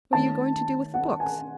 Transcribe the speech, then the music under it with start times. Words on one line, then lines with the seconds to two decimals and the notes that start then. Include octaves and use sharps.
What are you going to do with the books?
0.13 D#3 A3 C#4 A5
0.94 F#5
1.20 G#5